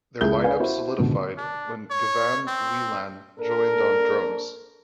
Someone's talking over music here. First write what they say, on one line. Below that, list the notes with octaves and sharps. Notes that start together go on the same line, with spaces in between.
Their line-up solidified when Gavan Whelan joined on drums.
C#2 E4 G#4 G6 G7
B4 D5 F5 G#5
E4 F#4 C5
C#2 B2 D3
D4
C#5
C4
A#3 D4 A4 A#4